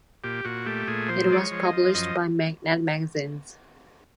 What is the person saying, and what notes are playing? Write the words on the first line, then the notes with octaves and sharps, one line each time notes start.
It was published by Magnet Magazines.
A#2 G4
A#2 F#4
A3 G4
A#2 G#4
F3 C5
G#3 D5
C#5
F3
D#5
F3
F#2 D#5